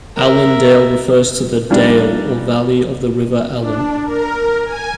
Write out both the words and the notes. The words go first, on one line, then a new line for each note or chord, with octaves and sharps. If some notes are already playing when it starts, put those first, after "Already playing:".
Allendale refers to the "dale" or valley of the River Allen.
A#4 E5
F3 G3 A#3 D4 D#4
D4
A#4
G#5